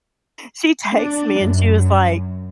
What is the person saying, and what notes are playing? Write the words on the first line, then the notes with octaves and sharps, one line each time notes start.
she texts me, and she was like,
D4
F#2